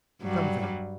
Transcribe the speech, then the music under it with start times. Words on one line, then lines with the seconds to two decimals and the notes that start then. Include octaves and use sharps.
"Come, then."
0.21 G2 F#3 G3